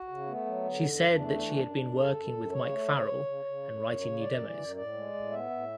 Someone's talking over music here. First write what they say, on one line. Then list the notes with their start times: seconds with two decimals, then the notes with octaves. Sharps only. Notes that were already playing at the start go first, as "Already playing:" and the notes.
She said that she had been working with Mike Farrell and writing new demos.
Already playing: F#4
0.08 C#3
0.27 A3 B3
0.45 F#3
0.64 D3
0.83 E2
1.02 E2
1.10 D4
1.20 A3
1.39 E3
1.57 F#2
1.76 F#2
1.95 F#2 A4
2.13 F#2
2.32 F#2
2.51 C#3 C#5
2.70 A3
2.88 C#3
3.07 C#3
3.26 C#3
3.45 C#3
3.63 F#2
3.82 F#2
4.00 C#3
4.19 F#2 D5
4.38 E3
4.57 F#2
4.75 A2 D5
4.94 G#3
5.13 A2
5.31 B3 E5
5.50 A2